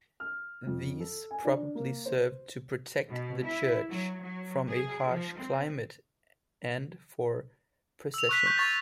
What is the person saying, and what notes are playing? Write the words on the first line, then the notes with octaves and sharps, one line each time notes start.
These probably served to protect the church from a harsh climate, and for processions.
F6
F2
A4
G#5
D4
A#3
C5
B2
E4
F#3
F#3
G#4
F3
C4
E6 F7
C#6 F#6 B6
C#6 G6
C#6 A6